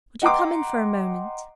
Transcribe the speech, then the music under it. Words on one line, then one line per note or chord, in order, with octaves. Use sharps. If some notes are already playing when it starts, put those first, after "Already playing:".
Would you come in for a moment?
D#5 F#5 G5 A#5 C6 D6